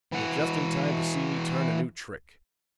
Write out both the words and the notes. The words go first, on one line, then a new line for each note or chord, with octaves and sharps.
You're just in time to see me turn a new trick.
E3 F#4